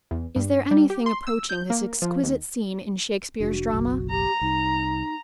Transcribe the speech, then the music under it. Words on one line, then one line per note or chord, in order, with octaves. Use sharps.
Is there anything approaching this exquisite scene in Shakespeare's drama?
E2
G2
G3
G4
C6
E6
G6
A#3
F3
D#2
F1 D4 F#4
F#1 B1
G4 A#5
C2 D#4